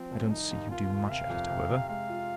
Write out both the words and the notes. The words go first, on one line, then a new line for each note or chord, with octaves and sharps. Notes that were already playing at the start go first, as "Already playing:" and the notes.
I don't see you do much at it, however.
Already playing: F3 C4
C2
D#2 D#4
D#2
D#2 F4
D#2
C3 F5
F2
C3
C3
G#3 F5
F4